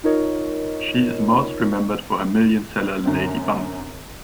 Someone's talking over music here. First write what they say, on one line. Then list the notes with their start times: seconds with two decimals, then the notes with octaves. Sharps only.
She is most remembered for her million seller "Lady Bump".
0.04 D#4 F4 A#4 C#5 D#5
3.04 F#2 D3 C4